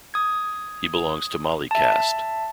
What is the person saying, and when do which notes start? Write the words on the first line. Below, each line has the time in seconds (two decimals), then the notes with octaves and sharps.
He belongs to Mali caste.
0.14 D#6 G#6
1.71 E5 A5